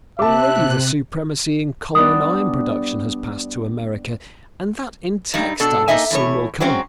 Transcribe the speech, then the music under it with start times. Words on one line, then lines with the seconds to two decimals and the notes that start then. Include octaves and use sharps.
Already the supremacy in coal and iron production has passed to America, and that in textiles soon will come.
0.19 C3 E5 A5 D6 F#6
1.95 G3 B3 D4 D#6
5.34 G2 G3 D#4
5.60 B2 D4 A4
5.88 A#3 D#4 D#5 E5 G#5
6.11 E2 A2 C#5
6.60 F#3 G#3 C4 C#4